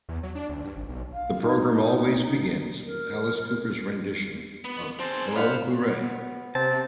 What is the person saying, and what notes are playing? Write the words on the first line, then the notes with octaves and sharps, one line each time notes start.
The program always begins with Alice Cooper's rendition of "Hello Hooray".
E2
F#3
D4
D2
G2
G#1
B1
F5
D#4
A#4
B3
C4 G#4 C5 A5
D4 F4 C5 D#5 F5 F#5 B5
B3
C3 C4 A5